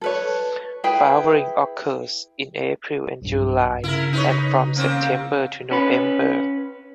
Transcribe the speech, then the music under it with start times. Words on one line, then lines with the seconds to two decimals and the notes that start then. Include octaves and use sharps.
Flowering occurs in April and July and from September to November.
0.01 A4 B4 C#5
0.84 E4 G#4 B4 G5
3.22 B1 G2
3.84 C#3 E4 A#4
4.13 D#4 B4 C#5
4.76 A#3 C4 C#4
5.71 C#4 B4